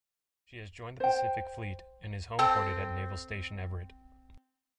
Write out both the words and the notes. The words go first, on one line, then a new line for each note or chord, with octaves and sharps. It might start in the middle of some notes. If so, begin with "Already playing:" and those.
She has joined the Pacific Fleet and is homeported at Naval Station Everett.
C5 G5
C4 A4 G5 A5